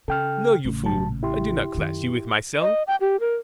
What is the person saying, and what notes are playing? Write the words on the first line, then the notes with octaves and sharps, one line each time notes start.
No, you fool, I do not class you with myself!
C#3 A4 G5 F6
A1 C#3
F#3 A5
A#2
E4 G4 C6
F#2 D#3
D#5
G5
G4
A#4